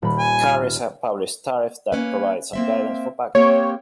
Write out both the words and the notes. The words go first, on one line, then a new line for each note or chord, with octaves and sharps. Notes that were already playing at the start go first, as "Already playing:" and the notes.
Carriers have published tariffs that provide some guidance for packaging.
D#1 B5
G#5
F6
A#3 C#4 B4
A#3 C4 E5
A#3 C4 G4 C#5